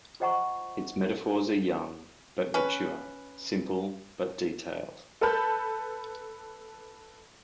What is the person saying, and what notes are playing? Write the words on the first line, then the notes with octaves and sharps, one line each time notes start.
Its metaphors are young, but mature, simple, but detailed.
F4 C5 D#5 F#5 A#5 C#6
C#4 B4
A4 B4 A5 B5 G6